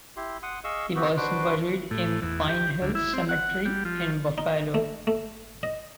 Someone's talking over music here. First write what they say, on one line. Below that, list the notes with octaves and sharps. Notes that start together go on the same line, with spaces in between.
He was buried in Pine Hill Cemetery in Buffalo.
E4 G4 C6
F#5 C6 D#6
G#4 D#5 F5 C#6 E6
B3 C4 F#4 G4
D4 F#4 B4 C5 C6 D6
A2
E2
G4
D2
E4
C4
F#5
G3
F3
D#4
A3
A3
D#5